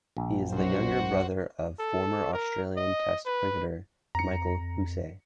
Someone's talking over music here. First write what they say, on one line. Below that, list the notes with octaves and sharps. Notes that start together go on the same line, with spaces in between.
He is the younger brother of former Australian Test cricketer Michael Hussey.
A#1
B1 F#2 F#4 C5
F#5
A4
A#4
D#5
B4
F2 A#5 C#7